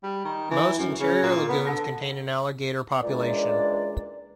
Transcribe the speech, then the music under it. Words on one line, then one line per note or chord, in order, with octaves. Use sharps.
Most interior lagoons contain an alligator population.
G3
D#3
E3
F#2
C#3
A#2
B3
D3
C#2 A#2 E3 G#3 D4 D5